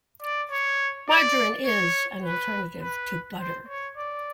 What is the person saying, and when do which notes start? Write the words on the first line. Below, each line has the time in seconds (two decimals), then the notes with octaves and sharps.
Margarine is an alternative to butter.
0.22 D5
0.51 C#5
1.09 D5
1.66 C#5
2.24 B4
2.82 B4
3.39 C5
3.68 C#5
3.97 D5